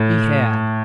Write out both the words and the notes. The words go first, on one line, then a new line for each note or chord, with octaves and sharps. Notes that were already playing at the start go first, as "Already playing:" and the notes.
He had.
Already playing: A2